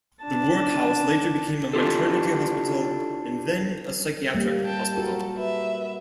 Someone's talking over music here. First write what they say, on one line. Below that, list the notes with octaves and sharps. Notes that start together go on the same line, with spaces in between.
The workhouse later became a maternity hospital and then a psychiatric hospital.
D4 A5
D4 E4 F4 G4 A4
G3 A#3
G5 A5
F#4 A4 A#4
B4 E5